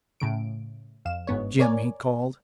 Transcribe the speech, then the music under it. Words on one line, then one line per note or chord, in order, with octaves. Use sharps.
Jim!' he called.
A2 C#3 D7
F2 F5 E7
G1 G#2 B3 C#5
A#4 C#5 D5 G#5